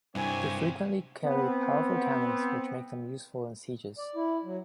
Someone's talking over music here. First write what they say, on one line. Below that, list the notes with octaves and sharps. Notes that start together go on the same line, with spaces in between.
They frequently carry powerful cannons which make them useful in sieges.
G2 C3 C4 E4 C#5 G#5
B3 C4
D5
E4
F#3